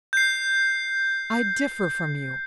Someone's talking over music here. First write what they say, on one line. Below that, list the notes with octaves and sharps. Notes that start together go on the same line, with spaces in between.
'I differ from you.
G6 C7